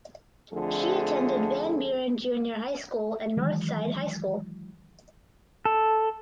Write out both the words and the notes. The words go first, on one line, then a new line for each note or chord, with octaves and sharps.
She attended Van Buren Junior High School and Northside High School.
F2 D3 F3 A3 G#4
D#3 E3 F#3 G#3
A4